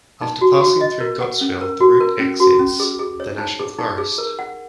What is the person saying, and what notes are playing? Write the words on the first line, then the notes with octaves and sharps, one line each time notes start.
After passing through Gottsville, the route exits the national forest.
D#4
F#4
F#4
D#5
A#4
F#5
C#4
A#4
F#4
A#4
C#4
F#4
C#4
G#4
G#4
C#5
D#4
G#4
D#4
G#4
A#4
F#5